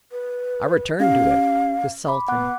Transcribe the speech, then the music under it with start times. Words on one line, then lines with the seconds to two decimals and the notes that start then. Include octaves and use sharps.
I returned to it--the Sultan.
0.12 B4
1.00 C#4 G4 F5
2.08 B5 D6
2.28 B3 F#5 D6 F#6